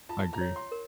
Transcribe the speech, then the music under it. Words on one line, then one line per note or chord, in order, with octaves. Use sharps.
I agree.
F4 A5
A#5
C#5
C6
A#4